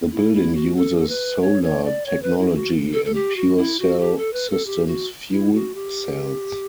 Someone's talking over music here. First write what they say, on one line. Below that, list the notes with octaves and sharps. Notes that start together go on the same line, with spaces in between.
The building uses solar technology and PureCell Systems fuel cells.
E4
E4
F#4
A4
A4
B4
C#5
C#5
D5
C#5
B4
E4
E4
F#4
A4
A4
G4
F#4
E4
F#4
G4
A4
B4
A4
G4
F#4
E4
F#4
G4